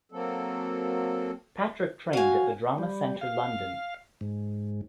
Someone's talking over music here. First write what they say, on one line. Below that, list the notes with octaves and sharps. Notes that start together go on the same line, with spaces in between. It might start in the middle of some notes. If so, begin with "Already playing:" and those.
Patrick trained at the Drama Centre London.
F#3 A#3 C4 A4
F#4 F5 G#5
G3
F5
G#2